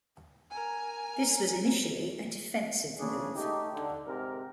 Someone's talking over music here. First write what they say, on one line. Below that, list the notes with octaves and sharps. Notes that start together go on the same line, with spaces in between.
This was initially a defensive move.
A#4 G#5
D2 C#3 D4 G#4
A3 D#4 G4
D3
G#2 C3 A#4